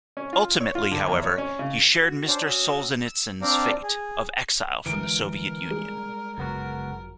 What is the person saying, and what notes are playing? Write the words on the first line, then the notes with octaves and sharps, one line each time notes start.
Ultimately, however, he shared Mr. Solzhenitsyn's fate of exile from the Soviet Union.
C#4
F4
C#5
F4
D3
E2
C#5
C#4
C#3
F#4
C#4 D4 C5
C#4 F#4 D#6 E6
E6
C4 D4 D5 F5 G5 A#5
G#4
D3 E3 G#3 A#4 D7
A#4
G3 G#3 G#4
G1 C#2 F#2 F#3 B3 F#4 A#4